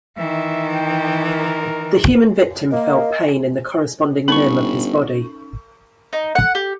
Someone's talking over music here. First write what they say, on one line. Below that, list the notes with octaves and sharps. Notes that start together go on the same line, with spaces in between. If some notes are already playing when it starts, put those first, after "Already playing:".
The human victim felt pain in the corresponding limb of his body.
D#3 E3 E5
G5
A#4
A#3 D#5
G1 C#4 D#4 B5 C#6
D#4
F#5
G4